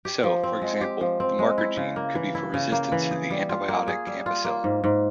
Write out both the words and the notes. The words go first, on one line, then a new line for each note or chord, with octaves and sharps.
So, for example, the "marker gene" could be for resistance to the antibiotic ampicillin.
G4
F3
C4
G#3
G4
F3
C4
G#3
E4
C#3
A#3
E3
E4
C#3
A#3
E3
G#4
G3
F4
A#3
G#4
G3
F4
A#3
G#2
G#2